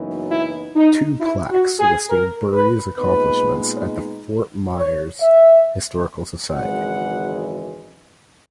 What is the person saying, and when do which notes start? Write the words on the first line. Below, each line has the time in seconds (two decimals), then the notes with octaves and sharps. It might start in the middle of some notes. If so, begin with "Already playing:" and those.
Two plaques listing Buerry's accomplishments at the Fort Myers Historical Society.
Already playing: F#1 F#2 E3 B3 D#4
0.31 E4
0.75 D#4
1.20 E4
1.50 F#4
1.79 G#4
2.09 A#4
2.53 B4
2.98 A#2 G#3 B3 D#4 B4
4.75 C#5
5.20 E5
6.53 G#1 F#2 C#3 E3 G#3 F#5